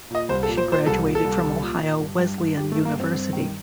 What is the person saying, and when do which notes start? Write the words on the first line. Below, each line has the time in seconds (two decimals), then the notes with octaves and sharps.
She graduated from Ohio Wesleyan University.
0.11 A#2 D#5
0.29 C2 C5
0.43 A4
0.48 A#2
0.57 C5
0.68 A#2 C5
0.86 C2 A4
1.05 A#2
1.15 A4
1.24 C2
1.44 C2
1.62 A#2
1.81 A#2
2.00 G2
2.19 G2
2.38 G2
2.57 G2 G4
2.72 A3
2.76 G2
2.85 A#3
2.95 G2 C4
3.14 G2
3.33 D#3